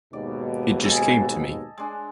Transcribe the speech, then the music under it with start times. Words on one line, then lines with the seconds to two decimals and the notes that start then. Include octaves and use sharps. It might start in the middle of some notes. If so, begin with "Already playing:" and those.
It just came to me.
0.13 D#2 G#2 B2 D5
0.85 A4 D#5 G#5
1.78 G#3 D4